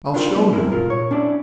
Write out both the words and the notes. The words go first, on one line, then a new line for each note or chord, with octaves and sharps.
I'll show you.
D4 D#4 F4 G4 A#4 C5
G3 B3 E4
G3 G#3 C4 E4 A#4
B1 G#2 F4 A#4
A#2 C#5
C#4 D4 E4 G4 D5